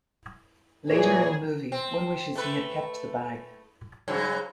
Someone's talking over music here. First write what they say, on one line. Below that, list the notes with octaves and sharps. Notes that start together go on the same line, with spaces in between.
Later in the movie, one wishes he had kept the bag.
A#2 E3 G#4 C#5
C4
A3 B4
G2 C#3 F#3